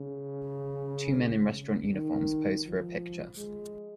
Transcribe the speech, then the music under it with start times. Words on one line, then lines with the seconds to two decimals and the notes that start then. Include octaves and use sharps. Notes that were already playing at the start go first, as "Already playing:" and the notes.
Two men in restaurant uniforms pose for a picture.
Already playing: C#3
1.94 D#3
2.67 F3
3.37 G#3